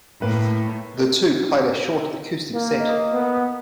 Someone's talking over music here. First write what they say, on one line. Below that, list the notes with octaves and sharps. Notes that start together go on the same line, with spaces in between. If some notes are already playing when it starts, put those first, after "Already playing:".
The two played a short acoustic set.
A2 A#3 B4
A#3
B3